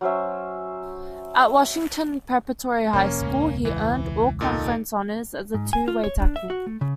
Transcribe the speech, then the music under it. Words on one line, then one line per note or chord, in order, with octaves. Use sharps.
At Washington Preparatory High School he earned All-Conference honors as a two-way tackle.
F#3 C#4 C5 E5
F1 A#3 C#4
E1 C#2 A2
E3
A#2 D#4 A4
G#2
G#5
F4
C#5
D4
E5
F#4
A3
C#3